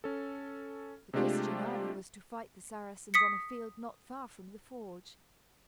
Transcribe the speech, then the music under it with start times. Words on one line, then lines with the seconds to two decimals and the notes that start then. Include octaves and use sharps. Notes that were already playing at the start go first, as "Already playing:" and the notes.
The Christian army was to fight the Saracens on a field not far from the forge.
0.04 C#4 A4
1.14 C3 G#3 A3 D4 F4 G4
3.14 D#6 B6 C#7